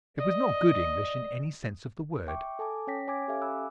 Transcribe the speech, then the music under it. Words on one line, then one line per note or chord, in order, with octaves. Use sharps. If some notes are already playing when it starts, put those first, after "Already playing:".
It was not good English in any sense of the word.
D5 D#5
E5 G5 C#6 D6
A4 G#5 A5 D6
C#4 C#5 G5 A#6 B6
C#5 G#5 D6 G#6
C#4 G4 A4 E5 F5 G#5
B5 D6 E6 F#6